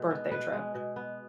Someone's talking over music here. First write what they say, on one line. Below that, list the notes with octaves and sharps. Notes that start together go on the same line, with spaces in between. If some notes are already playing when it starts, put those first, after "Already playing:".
birthday trip
Already playing: B2 G#3
B3
B2 B4
G#3
B2
B3